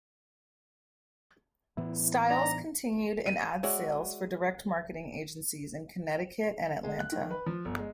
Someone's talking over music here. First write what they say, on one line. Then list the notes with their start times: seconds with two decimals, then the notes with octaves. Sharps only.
Styles continued in ad sales for direct marketing agencies in Connecticut and Atlanta.
1.77 A2 E3 B3 E4
2.30 D4 D#4 D5 A#5
3.26 D#7
3.63 G#3 F#4 G#4 C#5 D5 E5
6.84 G#3
6.99 F#6
7.12 D#3
7.31 B4
7.46 F3
7.65 G1
7.79 G#3